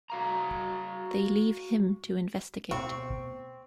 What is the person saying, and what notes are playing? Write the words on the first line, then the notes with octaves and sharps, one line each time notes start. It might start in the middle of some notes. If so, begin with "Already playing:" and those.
They leave him to investigate.
F#4 F5 A#5
D2 B2 B3 C4 C#6